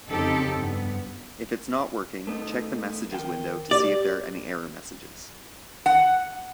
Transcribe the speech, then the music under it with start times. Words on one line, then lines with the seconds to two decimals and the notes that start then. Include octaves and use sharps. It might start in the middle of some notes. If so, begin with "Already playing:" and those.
If it's not working, check the messages window to see if there are any error messages.
0.10 F2 C#3 C4 D#4 G4 A4
0.56 G2 B3
2.27 A3 B3 D#4
3.11 D#3 F5 G5
3.71 G4 D5
5.86 F#5